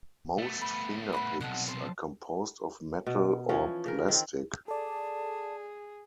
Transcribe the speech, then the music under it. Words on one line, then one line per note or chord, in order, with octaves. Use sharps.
Most fingerpicks are composed of metal or plastic.
A3 B3
B5
B4 F#5 B5
B1 C3 A4 D#5 F#5
C5 A5
B2
E3 F3 C#4
C#3 A#4
D#3 C4
G#4 A4 D5 A5